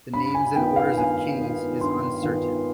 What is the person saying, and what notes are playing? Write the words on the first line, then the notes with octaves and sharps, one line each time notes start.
The names and order of kings is uncertain.
G2 B5
G#5
D#3 B3 F4 G5
F5
G2 G#5
D#3 B3 F4
G2 C6
D#3 B3 F4